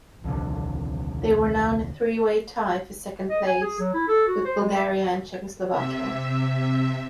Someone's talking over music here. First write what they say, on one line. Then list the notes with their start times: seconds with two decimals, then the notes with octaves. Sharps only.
They were now in a three-way tie for second place with Bulgaria and Czechoslovakia.
0.24 D#1 C2 F2 D3
3.29 D#5
3.46 G#5
3.61 G#4
3.79 F#3
3.94 E4
4.08 A4
4.27 F#4
4.45 C5
4.58 G#3
4.74 E5
5.71 C3 E5